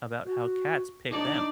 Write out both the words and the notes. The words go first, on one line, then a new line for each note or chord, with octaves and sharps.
about how cats pick them.
F#4
D4 D#4 D5